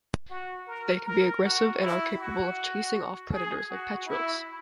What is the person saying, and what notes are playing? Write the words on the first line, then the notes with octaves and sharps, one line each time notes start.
They can be aggressive and are capable of chasing off predators like petrels.
F#4
A#4
A#4
F#4
E4
F#4
G#4
F#4
E4